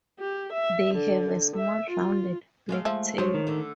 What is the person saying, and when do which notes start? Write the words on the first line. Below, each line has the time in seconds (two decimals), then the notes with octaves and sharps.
They have a small rounded black tail.
0.19 G4
0.53 E5
0.94 D3
1.56 E5
1.90 F4
2.69 G#3 A3 F5
2.85 F3 E5
3.18 F3 F#3 C5 C#5
3.34 D#3
3.47 D3 A3